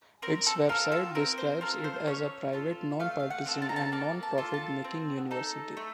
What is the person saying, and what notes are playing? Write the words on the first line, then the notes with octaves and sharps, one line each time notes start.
Its website describes it as a private, nonpartisan and non-profit making university.
C4 A#4
A4
F4 A4 A#4
A4
C4 A#4
C5
F4 A4 A#4
C5
C#4 C#5
F4 A4
A3 F5
F5
F#5
C4 F4 A4
A5
A#5
A5
A#3 A5
A5
F4 A4
A5
C4
D#4 A4
A3